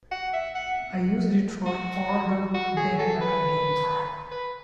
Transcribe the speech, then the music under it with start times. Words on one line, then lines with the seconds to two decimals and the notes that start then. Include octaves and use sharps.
I used it for all the "Bare Knuckle" Games.
0.12 F#5
0.34 E5
0.55 F#5
1.66 F#4
2.55 F#4
2.77 G#4
2.99 A4
3.21 B4
4.32 B4